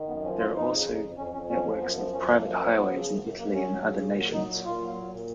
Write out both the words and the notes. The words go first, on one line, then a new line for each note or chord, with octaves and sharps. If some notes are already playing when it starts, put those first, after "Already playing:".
There are also networks of private highways in Italy and other nations.
Already playing: D#3
F#2 B3
F3 C#4
F2 F4
F2 D#4
C#3
F2
F2
F2 C#4
F2 C#4
F3 C#4
F3
F#2 B3
F3 B3
F#2 C#4
F#2 A#3
F3
F3
F#3 B3
C#3
F#2
F#2
F#2 A#3
F#3 C#4
F#3
C#3
A#2
F#3
F#3 D#4
A#2
A#2 F4
F#3
A#2
A#2